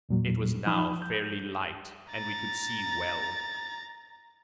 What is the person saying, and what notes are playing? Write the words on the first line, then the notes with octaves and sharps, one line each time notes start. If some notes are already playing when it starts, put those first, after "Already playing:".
It was now fairly light, and we could see well.
E2 A#2 F#3
F3 D#4 B5 D#6
G6
A#5 A6